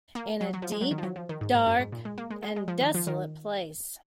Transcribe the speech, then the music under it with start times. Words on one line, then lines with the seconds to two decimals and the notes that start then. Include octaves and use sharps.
In a deep, dark and desolate place.
0.15 A#3
0.41 F#3
0.53 F#3
0.62 F3
0.72 G#3
0.81 F#3
0.91 D#3
0.98 F3
1.03 F#3
1.16 F3
1.29 D#3
1.41 G#2
1.55 G#2
1.66 F#2
1.79 G#2
1.92 A#2
2.05 G#3
2.18 A#3
2.30 G#3
2.43 G#3
2.56 G#3
2.68 F3
2.81 D#3
2.94 F3
3.07 D#3